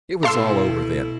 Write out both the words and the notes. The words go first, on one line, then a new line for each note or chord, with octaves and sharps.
It was all over then.
B2 A3 E4 A4 F5 A5 C6 E6